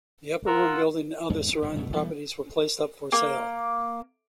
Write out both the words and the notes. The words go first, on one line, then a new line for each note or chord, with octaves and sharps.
The Upper Room building and other surrounding properties were placed up for sale.
F4 A#4 F#5 E6
E2 G#2
E3 C4
G1 G#2 C#3
C2 F#2 B2 A3
E1 E3 G3 B3
A#3